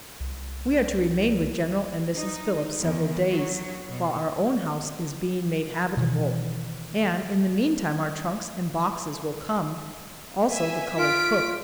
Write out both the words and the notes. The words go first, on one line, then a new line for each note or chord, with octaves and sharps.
We are to remain with General and Mrs. Phillips several days, while our own house is being made habitable, and in the meantime our trunks and boxes will come, also the colored cook.
C2
D#4
E2
F#3
B2
B2 D#3 E3
E5 G#5
F4 B6 D7